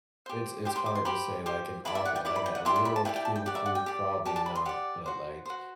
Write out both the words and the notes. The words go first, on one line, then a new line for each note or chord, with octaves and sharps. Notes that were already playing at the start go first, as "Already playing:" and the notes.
it's it's hard to say, like, an off like, a literal cubicle, probably not, but, like,
G4 C5
G4 C5 G5
C6
D6
C6
G4 C5 B5
G4 C5
E4 G4 D5 B5
E5
F#5
G5
E4 G4 D5
B5
G5
F#5
E4 G4 D5 C6
C6
B5
A5
E4 G4 D5 G5
G5
A5
G5
G4 D5 F#5
E5
F#5
G5
G4 D5
G4 D5 A5
A5
B5
C6
G4 D5 F#5
F#4 C5
F#4 C5